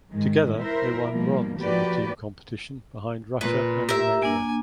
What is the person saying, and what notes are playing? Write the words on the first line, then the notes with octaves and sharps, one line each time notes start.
Together they won bronze in the team competition behind Russia and Romania.
G#2 D#3 G#3
E4 A#4 C5 E5
B2 F3 G3 A#3
F3 A#3 F#4 G4 B4 D5
A#2 B4
G4 A#4 E5
A#3 D4 G#5